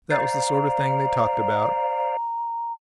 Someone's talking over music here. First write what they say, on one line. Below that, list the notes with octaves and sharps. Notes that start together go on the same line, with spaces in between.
That was the sort of thing they talked about.
C5 D5 F5 A#5